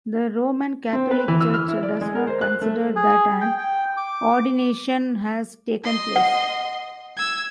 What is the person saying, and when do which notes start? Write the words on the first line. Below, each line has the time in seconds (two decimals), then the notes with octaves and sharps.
The Roman Catholic Church does not consider that an ordination has taken place.
0.93 C4
1.11 B4
1.28 E3
1.40 E6
1.54 F6
1.68 E4
1.83 D5
2.01 G#3
2.15 A#4
2.27 C5
2.41 F#6
2.61 A3
2.96 G#4
3.41 G5
3.58 G5
3.97 D6
5.84 D#5 C6
6.16 F#5
7.17 E6 G#6